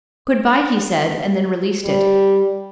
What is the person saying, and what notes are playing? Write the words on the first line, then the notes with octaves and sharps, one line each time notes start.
"Good-bye," he said, and then released it.
G3